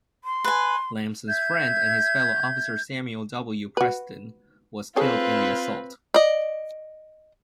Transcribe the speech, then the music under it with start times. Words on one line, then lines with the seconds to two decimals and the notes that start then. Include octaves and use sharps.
Lamson's friend and fellow officer Samuel W. Preston was killed in the assault.
0.24 C6
0.44 B4 G#5
1.28 E5 G6 G#6
3.77 F#4 B4
4.96 C4 F4 G#4 A4 B4 C#5
6.14 D5 D#5